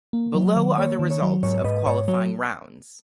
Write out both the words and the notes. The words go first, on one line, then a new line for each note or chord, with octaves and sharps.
Below are the results of qualifying rounds.
A#3
F#3
D#3
A#3 C#5
D#3
C#5
F#3
G#2 C#5
G#2 B4 D#5
G#2 C#5
F#3 C#5